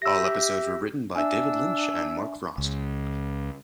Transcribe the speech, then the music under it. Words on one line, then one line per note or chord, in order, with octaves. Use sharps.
All episodes were written by David Lynch and Mark Frost.
G4 E5 E6 A#6
D4 E5 G#5 E6
C#2